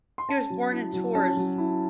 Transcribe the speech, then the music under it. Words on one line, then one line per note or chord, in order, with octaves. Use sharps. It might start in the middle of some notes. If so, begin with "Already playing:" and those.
He was born in Tours.
C6
C#4 A5
F#3
E4
F#3
C#4 A5
F#3
E4